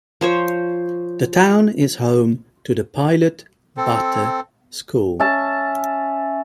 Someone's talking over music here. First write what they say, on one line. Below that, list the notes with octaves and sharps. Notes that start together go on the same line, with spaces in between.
The town is home to the Pilot Butte School.
F3 C5 C#5
C4 A4
C#4 E5 A5